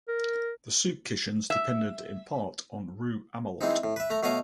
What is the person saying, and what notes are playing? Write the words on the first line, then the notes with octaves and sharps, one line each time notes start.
The soup kitchens depended in part on Rue Amelot.
A#4
E5
E3 G#3 C4 D#4
A2
B4 E5
A3 A#5
B2 A3 C#5 D#5 F5 D6